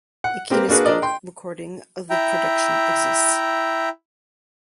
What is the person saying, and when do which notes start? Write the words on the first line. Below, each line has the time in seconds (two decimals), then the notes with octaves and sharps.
A kinescope recording of the production exists.
0.24 F#5
0.50 A#3 C4 G4 A#4 B4
0.69 A#3 D4 F#4 G#4 B4
0.85 D4 G#4 A#4 D5 D#5
1.02 G5 C6
2.10 E4 E5 G5 A#5